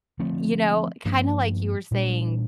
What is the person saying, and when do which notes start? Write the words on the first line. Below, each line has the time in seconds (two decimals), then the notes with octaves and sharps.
you know, kinda like you were saying
0.19 D3 F3 A3 C4
1.05 G2 F3 A#3 D4
1.91 A#2 G3 D4